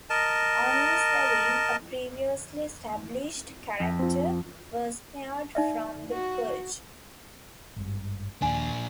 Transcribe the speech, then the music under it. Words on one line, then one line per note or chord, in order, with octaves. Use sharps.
Only Selene, a previously established character, was spared from the purge.
A#4 D#5 A5
F2
C4 F4
D#4 D5 E5
F#4
G#1 G2
D#2 A#2 D4 G#5